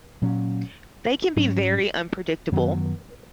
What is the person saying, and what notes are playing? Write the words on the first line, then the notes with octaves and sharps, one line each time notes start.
They can be very unpredictable.
A#2 F#3 C#4
G#2 F#3 C#4
F#2 D#3 F#3 B3